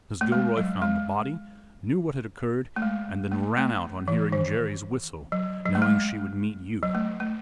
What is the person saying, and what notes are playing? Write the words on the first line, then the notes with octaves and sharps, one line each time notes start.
Mrs. Gilroy found the body, knew what had occurred, and then ran out on hearing Jerry's whistle knowing she would meet you.
A3
G#3
F#3
G#3
A3
G#3
A3
A3
E3
D#3
F#3
F#3
A3
G#3
F#3
A3
A3